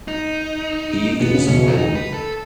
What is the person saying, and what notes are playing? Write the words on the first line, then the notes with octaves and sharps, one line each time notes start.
He is known.
D#4
B2 B3
C#3
B2 C#4
E4
D#4
B4
A4